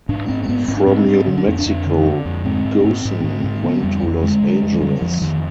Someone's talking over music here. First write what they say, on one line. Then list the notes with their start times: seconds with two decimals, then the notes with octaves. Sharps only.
From New Mexico Goossen went to Los Angeles.
0.09 G#2 D4
0.28 G#2 C4
0.43 C4
0.49 G#2 B3
0.68 G#2 C4
0.77 D4
0.86 G#2 C4
1.08 G#2
1.27 D3
1.38 D4
1.47 F2 C4
1.59 D4
1.66 F2
1.86 D3
2.06 D3
2.25 F2
2.45 G#2 C4
2.65 G#2
2.84 G#2
3.05 G#2
3.24 G#2
3.44 G#2
3.63 D3 B3
3.83 F2 G3
4.03 F2
4.23 D3 G#3
4.42 D3
4.63 F2
4.74 F3
4.82 D3 G3
5.02 F2 F3
5.21 F2 D#3